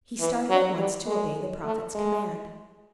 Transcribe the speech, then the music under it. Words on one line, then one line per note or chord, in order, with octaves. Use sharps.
He started at once to obey the prophet's command.
E3
F#3
G3
G#3
A3
G#3